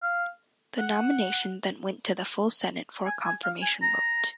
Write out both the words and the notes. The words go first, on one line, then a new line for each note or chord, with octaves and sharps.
The nomination then went to the full Senate for a confirmation vote.
F5
F#5
G#5
G#5
F5
G#5
A#5